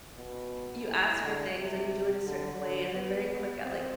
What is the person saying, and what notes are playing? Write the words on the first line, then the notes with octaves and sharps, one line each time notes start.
you ask for things or you do it a certain way, and they're very quick at, like,
B2
A2
D3
C3
D3
D3
B3
C4